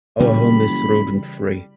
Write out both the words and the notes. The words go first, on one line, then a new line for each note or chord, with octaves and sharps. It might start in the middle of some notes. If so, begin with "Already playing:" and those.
Our home is rodent free.
F#1 C#3 E3 G3 A#3 B5